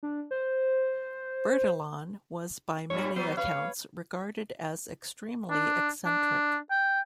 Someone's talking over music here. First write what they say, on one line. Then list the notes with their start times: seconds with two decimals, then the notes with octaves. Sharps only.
Bertillon was by many accounts regarded as extremely eccentric.
0.03 D4
0.31 C5
2.90 G2 A#2 G3 C#5
3.16 F#3 B3 C5
3.37 B4 C#5 F5
5.50 D4
6.06 D4
6.70 G5